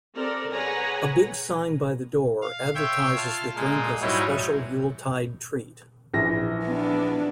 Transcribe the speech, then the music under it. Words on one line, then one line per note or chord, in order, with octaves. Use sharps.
A big sign by the door advertises the drink as a special Yuletide treat.
C4 A4 A#4 D5
G#4 B4 C#5 F#5 G#5 A#5
F5
C#5 E5 G5 C6
F4 A5 F6
A#2 G#3 A#3
G#2 F#3 G3 D#4 E4 C#5
A#1 E3 A#6
B3 D4